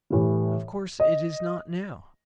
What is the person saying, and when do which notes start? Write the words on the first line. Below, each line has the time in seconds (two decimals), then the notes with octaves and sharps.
Of course it is not now!
0.10 A2 E3 G3
1.00 D#5